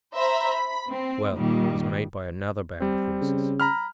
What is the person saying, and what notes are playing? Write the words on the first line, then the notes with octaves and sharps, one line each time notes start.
"Well, it was made by another band of horses."
C5 E5 A#5 B5
B5
C4
A#2 D#3 G3
G3 C4
C#3
A#5 B5 F6